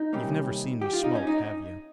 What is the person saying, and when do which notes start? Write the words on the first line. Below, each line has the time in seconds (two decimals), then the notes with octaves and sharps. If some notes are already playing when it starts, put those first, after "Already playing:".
You've never seen me smoke, have you?
Already playing: D#4
0.13 C3 D#3 G3 A#3 C#4
0.81 G4
0.93 F4
1.04 D#4
1.15 C#4
1.27 D#4